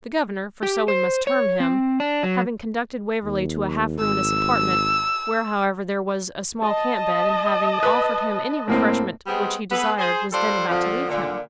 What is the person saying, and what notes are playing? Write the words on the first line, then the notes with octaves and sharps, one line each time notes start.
The governor, for so we must term him, having conducted Waverley to a half-ruinous apartment, where, however, there was a small camp-bed, and having offered him any refreshment which he desired, was then about to leave him.
G4
C5
C#5
C4
D4
F#3
D#2
G#1 E6
D#5 A5
B4
A2 A#3 C4
G3 G#3 B3 C4 G#4
B3 G#4 A4 B4
G#4 C5
G3 D4 F4 A4 C5
F2 D3 F3
A#2 D3